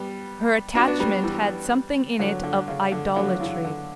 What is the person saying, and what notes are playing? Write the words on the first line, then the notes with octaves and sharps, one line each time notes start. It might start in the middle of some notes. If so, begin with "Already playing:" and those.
Her attachment had something in it of idolatry.
Already playing: G3 B3
D4 F#4
B3 D4
G3 B3
E3 G3
D3 F#3
D3
C#3
D3
D3 F#3
C#3 E3
D3